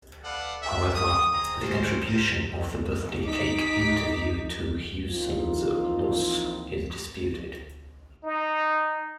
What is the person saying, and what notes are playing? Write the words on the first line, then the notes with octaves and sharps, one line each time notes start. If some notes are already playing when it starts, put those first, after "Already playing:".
However, the contribution of the birthday cake interview to Hewson's loss is disputed.
A4 B4 D5 F5 F#5
D4 G4 E5
D#6
C4 G#4 D#5 A#5 D#6
C4 C#4 C5
A#4 C5
D#4 D6 B6
E3 F3 A#3 C4 D#4 F4
D#4